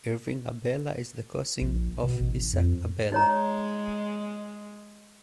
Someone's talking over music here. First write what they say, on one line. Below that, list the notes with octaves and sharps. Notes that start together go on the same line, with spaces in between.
Irving Abella is the cousin of Isaac Abella.
A#1
B2
A1
F2
G#3 D#4 C#5 A#5